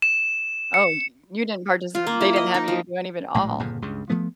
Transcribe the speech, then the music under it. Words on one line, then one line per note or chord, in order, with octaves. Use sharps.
Oh, you didn't participate they didn't have you do any of it all.
E7
C#7
F4
A#3
E4
D#5
D#4
F3
A#1 A2 G#3
G1 F2 A#2 C#3
C#2 G2 C#3
F3 A3 B3